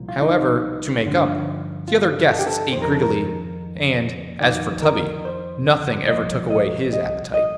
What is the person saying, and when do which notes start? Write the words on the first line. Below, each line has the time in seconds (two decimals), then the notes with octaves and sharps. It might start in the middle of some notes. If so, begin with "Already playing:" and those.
However, to make up, the other guests ate greedily, and, as for Tubby, nothing ever took away his appetite.
Already playing: C2 A#2 F3
0.09 F4
0.21 D#4
1.04 G2 D3 F3
1.88 F4
2.30 A4
2.39 G4
2.47 A4
2.73 D#3 C5
2.77 F2
2.82 A#4
2.92 A4
3.02 A#4
4.41 F2 C3 D#3 D5
4.82 A#4
5.25 C5
6.08 C2 A#2 F3 D#5
6.50 D#5
6.93 D#5
7.34 D#5